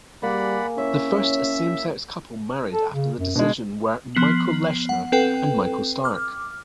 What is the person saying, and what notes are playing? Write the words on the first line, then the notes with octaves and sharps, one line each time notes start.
The first same-sex couple married after the decision were Michael Leshner and Michael Stark.
G3 A#3 G#4 D5 F#5 B5
C#4 E4 C#5 E5
A4
C#3
F#2
B2 G#3 D4
F3 B3 C7 F#7
F#5
C4 A4 B4 G5
D6 F6